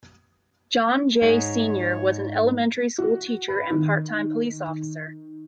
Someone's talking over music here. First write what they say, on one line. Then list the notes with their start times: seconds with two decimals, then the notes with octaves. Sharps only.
John J. Senior was an elementary school teacher and part-time police officer.
1.22 G#2 C#5
2.98 F#4
3.48 B4
3.71 D#3